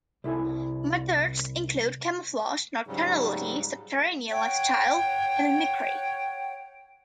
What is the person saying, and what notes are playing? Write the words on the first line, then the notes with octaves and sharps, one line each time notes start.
Methods include camouflage, nocturnality, subterranean lifestyle, and mimicry.
C2 E4 A4 G#5
G#2 C#3 F#3 G3
C#5 F#5 G5